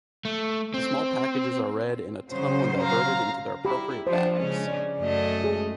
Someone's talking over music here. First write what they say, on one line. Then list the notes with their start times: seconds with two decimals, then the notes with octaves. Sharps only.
The small packages are read in a tunnel and diverted into their appropriate bags.
0.25 A3
0.74 C4
2.30 C#3 F#3 C5
2.81 F5 A#5
3.65 E4 G4 B5
4.07 F3 D4 C5
4.38 C#3 G#3 C#4
4.67 D5
5.00 F#2 A3 D#5
5.44 G#3 G#4